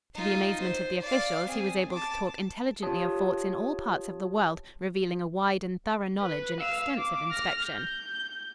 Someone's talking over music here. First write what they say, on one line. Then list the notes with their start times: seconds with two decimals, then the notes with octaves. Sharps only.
To the amazement of the officials, he was able to talk intelligently of forts in all parts of the world, revealing a wide and thorough knowledge and extensive inspection.
0.15 D#4 F4
0.60 C5
1.01 D5 F5
1.46 C4 G#4
1.92 A5 D6
2.83 F4 G4 C#5 A5 D#6
6.22 B4
6.60 F5 E6
6.99 D6
7.31 F6 A#6
7.64 G6